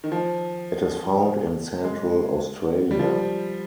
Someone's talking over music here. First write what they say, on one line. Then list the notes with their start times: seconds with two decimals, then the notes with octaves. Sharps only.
It is found in central Australia.
0.04 D#3
0.12 F3
1.84 G#3
2.91 G3
2.99 F3